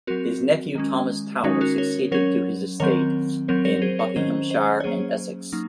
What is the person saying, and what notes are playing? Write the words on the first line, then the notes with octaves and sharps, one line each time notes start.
His nephew Thomas Tower succeeded to his estates in Buckinghamshire and Essex.
F#3 C4 F#4 A#4
D#3 G#3 C#4
D#3 G#3 C#4 D#4 F#4
F#4 A#4
A#4 C#5
F#3 C#4 A#4 C#5
D#3 F#3 C4 A#4 C#5
F#3 C4 A#4 C#5
A#4 C#5
G#4 C5
A#4 C#5
D#3 F#3 C#4 C5 D#5
C5 D#5
C#5
F#3 A#3 C#4 G#4 C5
F#3 A#3 D#4